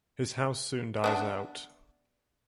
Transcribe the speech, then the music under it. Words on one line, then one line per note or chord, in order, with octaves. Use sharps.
His house soon dies out.
B3 D4 E5